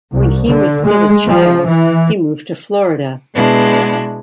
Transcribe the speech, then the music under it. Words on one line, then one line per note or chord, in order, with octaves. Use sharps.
When he was still a child, he moved to Florida.
C2
D3
G#3
F3
E3
B2 G#3 B3 D4 E4